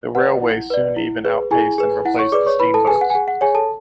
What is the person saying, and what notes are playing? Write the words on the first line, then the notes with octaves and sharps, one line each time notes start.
The railways soon even outpaced and replaced the steamboats.
B4 D5 F#5
E4
B4 D5
E4
G#4 B4
E4 G#4 G#5
G#4 B4
E4 F#5
C#5 C#6
G#4 B4 D5 D6
C#5 C#6
E4 B4 B5
A4 A5
G#4 B4 G#5
F#5
G#5
G#4 F#5
F#5
G#4 C#5 G#5
A4 A5